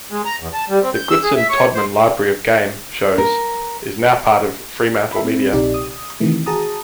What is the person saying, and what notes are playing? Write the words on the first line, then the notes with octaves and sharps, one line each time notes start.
The Goodson-Todman library of game shows is now part of FremantleMedia.
G#3
A#5
E2
A5
G3
C4
G6
E6
G#4
E5
C#5
C5
A#4
E5 B5
C4
A#1 C3 D#4 G4 D5
D#6
C3 D#3 E3 A3
F#4 G#4 A5 A#5 D#6